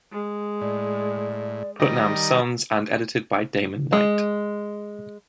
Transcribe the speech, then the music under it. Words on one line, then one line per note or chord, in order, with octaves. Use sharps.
Putnam's Sons and edited by Damon Knight.
G#3
A2 D5
D#3 G3 D#5 A#5
G#3